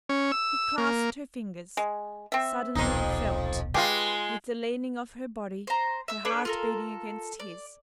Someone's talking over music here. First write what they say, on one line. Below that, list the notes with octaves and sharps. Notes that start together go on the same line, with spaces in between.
He clasped her fingers--suddenly felt, with the leaning of her body, her heart beating against his.
C#4
E6
A#3
G#3
C4 E5
D#1 B1 F2 B2 D#4
G#3 F4 G4 B4
C5 A#5
E5 E6
D4 A4 B4 C#5
F4 A4 A#4
D5